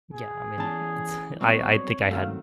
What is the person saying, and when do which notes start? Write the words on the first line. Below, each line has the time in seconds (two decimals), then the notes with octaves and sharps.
Yeah, I mean, it's I I think I had
0.13 G#4
0.58 E2 E3 C#4 A5
1.41 G2 F#3 B3 C4 C#5
2.11 D#3 F#3 A3 F5